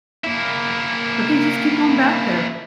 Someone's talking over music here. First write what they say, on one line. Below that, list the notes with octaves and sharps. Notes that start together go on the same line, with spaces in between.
But they just keep going back there.
A#3 E4